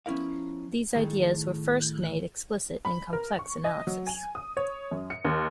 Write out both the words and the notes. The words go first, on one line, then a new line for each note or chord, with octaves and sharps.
These ideas were first made explicit in complex analysis.
F3 B3 C#4 E4 A#4 F5
A2 D#3 G#4 A4
B5
A#4
C#6
D#5
F#3
G#5
D#6
C#5
F#2
C#7
D#2